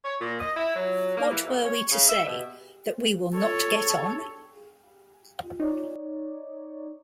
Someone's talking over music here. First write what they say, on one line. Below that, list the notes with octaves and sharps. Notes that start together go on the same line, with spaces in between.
What were we to say, that we will not get on?
C#5
A#2
D#5
E4
F#3
A#3
E3
F2
C#5
C#3
E5
B2
A4 C#5
D#4 C#5 D5